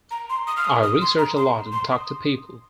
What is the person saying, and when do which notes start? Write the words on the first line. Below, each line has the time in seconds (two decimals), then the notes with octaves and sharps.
I research a lot and talk to people.
0.11 A#5
0.30 C6
0.47 D#6
0.57 F6
0.65 D#6
0.83 D#6
1.01 C6
1.19 A#5
1.37 C6
1.72 C6
1.90 D#6